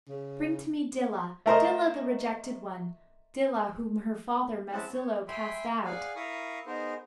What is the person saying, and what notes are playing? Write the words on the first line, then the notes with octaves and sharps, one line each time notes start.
Bring to me Dilah, Dilah the rejected one, Dilah, whom her father Masilo cast out!
C#3
A3 A#4 C5 D#5
C4 C#4 E4 G#4 F#5 A5
C#5
E5 G5 G#5 B5 C6
G#4 D5 F5 F#5 G#5
E4 A#4 F5 B5 C#6 D#6
B3 D#4 G#4 A#4 C5